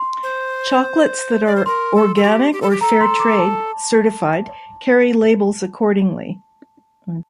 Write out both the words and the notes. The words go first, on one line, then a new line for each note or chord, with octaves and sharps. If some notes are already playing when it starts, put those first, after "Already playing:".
Chocolates that are organic or fair trade certified carry labels accordingly.
Already playing: C6
C5
D5
C5
A#4 C6
A4
A4
G4
G4
A4
G4
A4 A#5
C6
D6
A5